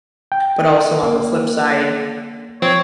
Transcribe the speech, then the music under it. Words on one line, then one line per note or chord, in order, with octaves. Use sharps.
but also, on the flip side,
G5
A#3
F3 C4 C#5